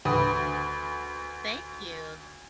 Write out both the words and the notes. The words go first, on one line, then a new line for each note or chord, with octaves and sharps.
Thank you.
D2 B4 D#6